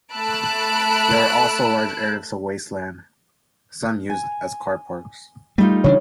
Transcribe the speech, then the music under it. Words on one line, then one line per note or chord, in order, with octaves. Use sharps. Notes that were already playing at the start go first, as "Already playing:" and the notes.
There were also large areas of wasteland, some used as car parks.
A3 A5 B5 E6 F#6 D7
G#5
G3 A3 D#4 F4
C#3 E3 D4 C#5